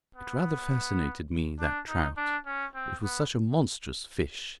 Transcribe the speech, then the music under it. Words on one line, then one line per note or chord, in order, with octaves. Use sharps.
It rather fascinated me, that trout; it was such a monstrous fish.
B3
D4
D#4
D4
C#4
C4
B3